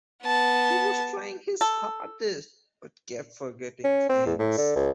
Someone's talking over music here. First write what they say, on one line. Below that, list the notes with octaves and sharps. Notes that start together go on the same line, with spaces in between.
He was trying his hardest, but kept forgetting things.
B3 A5
A4
C#4
C4
E2
A2
D3
C#2